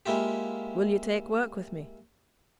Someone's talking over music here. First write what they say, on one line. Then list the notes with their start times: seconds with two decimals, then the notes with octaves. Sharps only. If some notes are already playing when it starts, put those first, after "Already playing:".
Will you take work with me?
0.06 G#3 A#3 E4 F4 G4